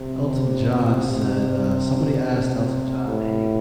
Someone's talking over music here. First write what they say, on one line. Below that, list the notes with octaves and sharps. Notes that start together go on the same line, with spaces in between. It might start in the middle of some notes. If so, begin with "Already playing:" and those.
Elton John said, uh somebody asked Elton John, "Hey, have
Already playing: C3
C3
A2